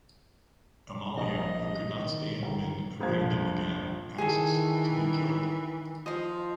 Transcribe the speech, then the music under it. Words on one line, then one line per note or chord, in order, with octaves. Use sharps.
Amalia, who could not stand been abandoned again, asks to be killed.
A#1 D#5
D#3
G1 D#3
F1 A#1 F3 F5 G#6
D#3 E3 G#4 A4
F3 D#5 C6